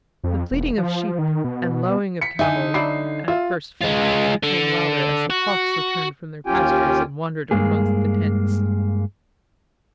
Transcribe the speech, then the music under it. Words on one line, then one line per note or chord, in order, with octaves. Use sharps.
The bleating of sheep and lowing of cattle, at first faint, became louder as the flocks returned from their pastures and wandered amongst the tents.
F2
E1
F3
D#3
B2
B6 C#7
D3 D#4 E5 G#5
F#3 D4 E4 C7
F4 E5
G#3 F4
D3
F#4
D#2 C#4 F4 G4 G5 G#5
G2 G#3 A#3 G#4